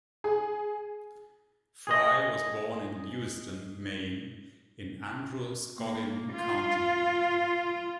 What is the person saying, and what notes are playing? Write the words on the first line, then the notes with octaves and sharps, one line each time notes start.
Frye was born in Lewiston, Maine, in Androscoggin County.
G#4
G#4 D#5
A#3
F4